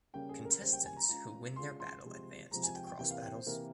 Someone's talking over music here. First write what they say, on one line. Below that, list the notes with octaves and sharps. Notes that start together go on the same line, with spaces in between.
Contestants who win their battle advance to the Cross battles.
C#3 G3 A#3 C#4 G5
G#4
A#4
C#3 G3 A#3 C#4 C5
G5
G#5
A#5
G#3 C#4 F4 G#4 A#5
G#3 C#4 F4 G#4 C6
C6
C3 F3 G#3
C3 F3 G#3 A#5
G#5
G5
G5
C3 E3 A#3 G5
F5
G5
C5
C3 E3 A#3 A#4